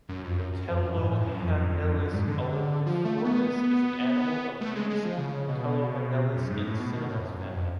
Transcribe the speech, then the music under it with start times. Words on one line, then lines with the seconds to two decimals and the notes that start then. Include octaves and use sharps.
Thelohanellus oliviformis is an animal of genus Thelohanellus in Synonyms family.
0.09 F#2
0.24 F2
0.38 F#2
0.52 F#2
0.67 F2
0.82 F#2
0.96 G#2
1.11 A2
1.26 F#2
1.40 F2
1.54 F2
1.69 F2
1.83 F2
1.99 F#2
2.13 G#2
2.27 D3
2.86 F3
3.05 A3
3.24 B3
4.61 A3
4.75 G#3
4.90 G#3
5.05 F3
5.18 C#3
5.48 B2
6.35 F#2
6.50 G#2
6.65 A2
6.79 B2
6.94 B2
7.09 A2
7.18 F2
7.23 F#2
7.38 F#2
7.52 F2